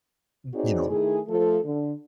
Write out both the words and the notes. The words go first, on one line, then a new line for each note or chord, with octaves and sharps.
n you know
C4 D#4 F#4 G#4 C#5 D5
D#3 A3 E4 G#4
F3 A3 A4
D3